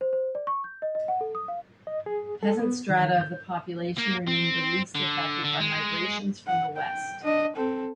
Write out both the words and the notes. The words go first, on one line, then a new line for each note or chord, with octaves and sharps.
Peasant strata of the population remained the least affected by migrations from the west.
C5
C5
D5
C#6
G6
D#5
D#5
F#5
A4
D#6
F5
D#5
G#4
A4
B3
D#3
G6
A#3
C4
D3
D3
G#3
F#5
G5
D4 D#5
C4 A4